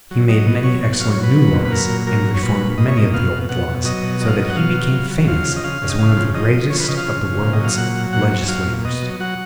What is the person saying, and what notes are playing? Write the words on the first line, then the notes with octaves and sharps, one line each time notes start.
He made many excellent new laws and reformed many of the old laws, so that he became famous as one of the greatest of the world's legislators.
F#3
F#3 D#5
B2
F#3 C#5
B2
F#3 F5
C#5
F#3
B4
F#3
A#2
B4
F#3 A#4
A#2
F#3 A#4
F#3
C#5
A#2 B4
A#2
A#2 D#5
C#5
A#2 D#5
B2 F5
B2
B2 F#5
B2
F#3 D#5
B2
F#3 D#5
F5
F#3 D#5
F#5
B2 F5
F#3
F#3
F#3
F3 F5
C#3
D#5
C#3 F5
C#3
D#5
C#3 F5
F3
F3 D#5
F3
F3 C#5
B4
C#3 D#5
F5
C#3
C#3
A#2
D#5
F#3 F5
A#2 F#5
F#3
A#2 F#5
F#3
F#3 F5
A#2
B2 D#5
F#3
F#3 F#5